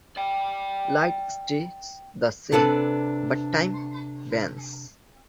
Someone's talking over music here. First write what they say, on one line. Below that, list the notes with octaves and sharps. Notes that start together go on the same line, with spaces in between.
Light stays the same, but time bends.
D5 G5
C3 D4 A4 B4 D5 A5